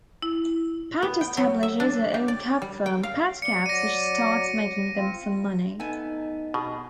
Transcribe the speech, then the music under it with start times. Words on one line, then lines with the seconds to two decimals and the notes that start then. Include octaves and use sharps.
Pat establishes her own cab firm, "PatCabs", which starts making them some money.
0.22 E4
1.02 B3
1.21 G5
1.37 F#3
1.63 E5
1.80 D4
2.14 G4
2.28 D5
2.62 G3
2.86 G5
3.03 F5
3.42 D5 C#7
3.66 F#3 D5 A#6 D#7
4.94 C4 F4
5.80 A3 B3 D#4 G#5
6.54 B2 G#4